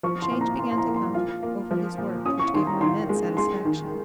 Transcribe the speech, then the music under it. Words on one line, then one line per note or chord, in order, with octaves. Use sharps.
A change began to come over his work, which gave him immense satisfaction.
F3 C#6
C6
A#2
A#5
A#2 C6
C6
A#5
A#3
C6
F4
A#3
F3
A#2
C#4 D#6
C#6
D#3 C6
A#5
D#3 C6
G#3
G#3 C6
D#3